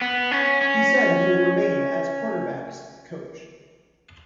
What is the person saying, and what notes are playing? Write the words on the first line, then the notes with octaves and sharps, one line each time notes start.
He said he would remain as quarterbacks coach.
B3
C#4
C#4